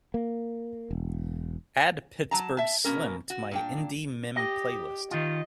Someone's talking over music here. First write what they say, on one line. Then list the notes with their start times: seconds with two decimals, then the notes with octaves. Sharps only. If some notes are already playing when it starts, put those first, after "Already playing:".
Add pittsburgh slim to my indie mim playlist.
0.14 A#3
0.91 E1
2.31 F#3 A5 A#5
2.57 E5 A5
2.84 B2 A#3 C4 C#4 A#4
3.30 F#4
3.51 A#2 D4 G5
4.36 G4 D#5
5.11 D#3 F4 D#5